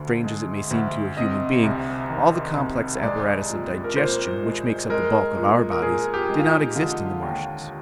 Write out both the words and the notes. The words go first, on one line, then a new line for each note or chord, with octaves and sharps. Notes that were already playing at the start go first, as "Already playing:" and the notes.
Strange as it may seem to a human being, all the complex apparatus of digestion, which makes up the bulk of our bodies, did not exist in the Martians.
Already playing: D2 D3
G#3
D2
C3 D#5
C2
D#3
C2
G#3 D5
A#2
A#4
A#2 C5
G#3
G#3 A#4
A#2
A#4
A#2 G#4
G4
G#3
F4
D#4
D3 F4
D#2